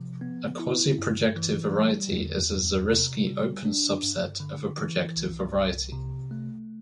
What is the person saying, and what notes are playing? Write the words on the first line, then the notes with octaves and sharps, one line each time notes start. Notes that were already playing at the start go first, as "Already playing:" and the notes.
A quasi-projective variety is a Zariski open subset of a projective variety.
Already playing: C3 F3
B3
E4
G2
E3
G3
E2
E2
C3
G3
D4
G2
D3
E3
C2
C2
C3
A3